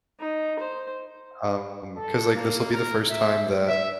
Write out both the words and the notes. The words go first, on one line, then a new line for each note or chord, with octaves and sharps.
um, 'cause, like, this will be the first time that
D#4
C5
A4
A#3
A#4
E5
E5